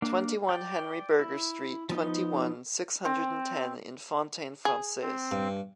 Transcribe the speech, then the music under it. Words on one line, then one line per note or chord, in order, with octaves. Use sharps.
Twenty-one Henry Berger street, twenty-one, six hundred and ten in Fontaine-Française.
A#3 D4
D5 G5
E4
F3 B3 D#4
C4
G#4
C4
G2